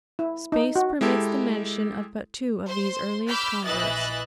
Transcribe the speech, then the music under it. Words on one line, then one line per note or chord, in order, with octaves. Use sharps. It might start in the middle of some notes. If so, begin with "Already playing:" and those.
Space permits the mention of but two of these earliest converts.
E4
D#4
F#4
G#3 E4 G4 A4
C5 C6
B5 D6 E6 F6 G6
A#1 E3 D#5 E5 F#6 A6